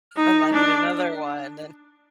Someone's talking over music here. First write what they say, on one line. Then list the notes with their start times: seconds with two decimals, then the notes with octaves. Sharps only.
I might need another one then."
0.16 D#4
0.53 D4